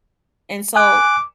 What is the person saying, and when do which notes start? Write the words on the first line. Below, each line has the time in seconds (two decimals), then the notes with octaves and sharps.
And, so,
0.76 G#5 D6 F#6